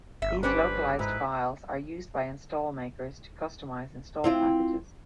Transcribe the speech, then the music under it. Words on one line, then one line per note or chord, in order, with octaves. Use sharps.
These localized files are used by install makers to customize install packages.
G1 E5
G3 C#4 D4 B4 C5
G#2 E4 B4
C4 E4 F4